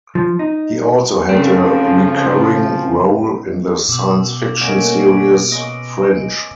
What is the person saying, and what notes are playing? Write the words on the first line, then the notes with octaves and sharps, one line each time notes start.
He also had a recurring role in the science fiction series "Fringe".
F3
D#4
C#3 F3 A3 C4
B2 D6 E6
A#2 A3 A#3 C#4 F#4 D#5 D7
G#3 B3 C#4 D#5